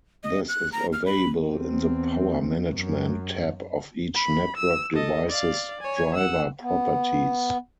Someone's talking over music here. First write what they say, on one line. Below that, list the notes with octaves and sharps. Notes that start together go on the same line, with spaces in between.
This is available in the Power Management tab of each network device's driver properties.
D#5
F#6
A#5
F6
B5
E2 C4
F#2
B5
E6
A4 D#5
D5 F5
C#5 G#5
F#5 E6
B3